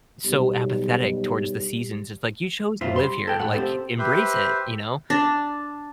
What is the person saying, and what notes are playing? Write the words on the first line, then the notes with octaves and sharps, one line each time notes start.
so apathetic towards the seasons. It's, like, "You chose to live here, like, embrace it," you know?
B1 G3
B1 F#2 F4 C5 E5
G3 C6
A4 G5
A2 F#5
C4 G4 A4 C5
G4 B4 C5 E5
D4